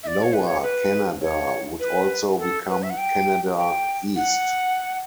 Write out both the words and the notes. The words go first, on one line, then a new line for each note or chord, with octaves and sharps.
Lower Canada would also become Canada East.
E5
D5
C#5
B4
C#5
B4
C#5
B4
A4
B4
E5
F#5
G5
G5
F#5